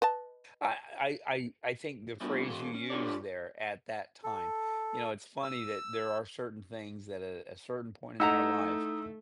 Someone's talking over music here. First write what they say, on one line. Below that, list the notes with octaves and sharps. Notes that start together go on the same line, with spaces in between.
I I I I think the phrase you used there, "at that time," you know, it's funny that there are certain things that at a certain point in our life,
B4 D#5 A5
G2 B2 D3 F3 E4
E3 G#3
C#4
D4 F4 G4 A4 C#5 D5
A4
E6
A3 D#4 E4 F#5 A#5 E6